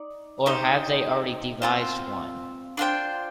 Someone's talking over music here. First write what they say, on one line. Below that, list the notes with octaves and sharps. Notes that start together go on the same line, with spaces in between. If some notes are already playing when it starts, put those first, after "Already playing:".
Or have they already devised one.
Already playing: D#4 D5
D#4 G4 C5 D#5
C4 F4 C5
D4 F4 C5 G5